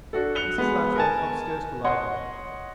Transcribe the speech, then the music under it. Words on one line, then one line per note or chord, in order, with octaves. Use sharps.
Mrs. Latch went upstairs to lie down.
D4 F#4 A4
F#6 C#7 F7 G7
G#3 B3
A#4 G#5 A5
C#5 D#5 F#5 C6